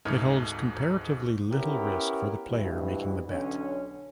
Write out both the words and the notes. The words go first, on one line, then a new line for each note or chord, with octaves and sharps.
It holds comparatively little risk for the player making the bet.
D1 G#2 A3 D#4 F6 G#6
B3 C#4 E4 G4 A#4
D2 G2 B2 E3
B1 D3 C#4